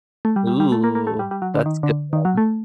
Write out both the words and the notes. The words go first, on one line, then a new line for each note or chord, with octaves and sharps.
Ooh, that's good one.
A3
G3
G3
G3
A3
A#3
A#3
A3
G3
G3
F#3
D3
D#3
D3
D#3
F#3
A3